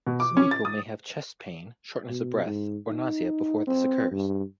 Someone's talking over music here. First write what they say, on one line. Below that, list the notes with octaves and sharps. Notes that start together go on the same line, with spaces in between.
Some people may have chest pain, shortness of breath, or nausea before this occurs.
B2
D6
C#4
A6
D#6
B2
G#2
D#4
C4
G2